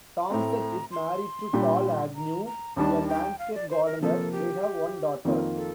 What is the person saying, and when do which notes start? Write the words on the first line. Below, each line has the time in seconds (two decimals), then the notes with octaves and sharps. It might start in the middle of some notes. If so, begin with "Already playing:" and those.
Thomsett is married to Paul Agnew, a landscape gardener; they have one daughter.
0.30 A2 A3 C4 A#5
0.92 C6
1.53 A#2 G3 D4 G4
2.15 A#5
2.46 A#5
2.76 D#2 D#3 G3 D4 A5
3.08 G5
3.39 F5
3.55 D5
3.70 C5
3.85 A#4
4.00 C3 F3 A#3 A4
4.32 G4
5.25 F2 D#3 A#3 F4
5.56 A4